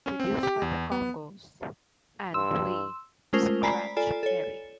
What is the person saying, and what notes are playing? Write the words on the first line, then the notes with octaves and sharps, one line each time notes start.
Produced by The Congos and Lee "Scratch" Perry.
C#4
C4
G4
E2
B3
G2 C6 E6
G#3 A3 C#4 F4 A#4 C5
D5 G#5 A#5 B5 B6 C7
F4 A4 D5 G#5
A4 C#5